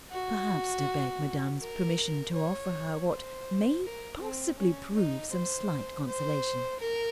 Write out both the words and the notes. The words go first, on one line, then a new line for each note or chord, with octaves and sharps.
"Perhaps to beg madame's permission to offer her what may possibly prove some slight consolation."
F#4
A#4
C#5
C5
A#4
C4
C#4
D#4
C5
C5
A#4